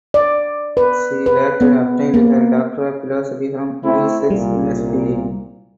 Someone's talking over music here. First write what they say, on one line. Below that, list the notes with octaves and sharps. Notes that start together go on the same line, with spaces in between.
She later obtained her Doctor of Philosophy from Middlesex University.
D5
B4
B4
B3
A#3
A3 C4 E4
C2 A#2 G3